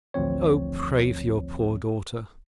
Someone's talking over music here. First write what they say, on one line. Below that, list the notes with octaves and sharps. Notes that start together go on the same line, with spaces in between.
O pray for your poor daughter.
A1 D2 F3 C4 C#5